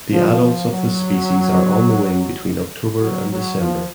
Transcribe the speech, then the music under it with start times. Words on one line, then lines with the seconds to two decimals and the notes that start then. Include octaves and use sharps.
The adults of this species are on the wing between October and December.
0.12 F3
0.41 F3
0.70 F#3
3.01 F#3
3.30 F#3
3.59 F3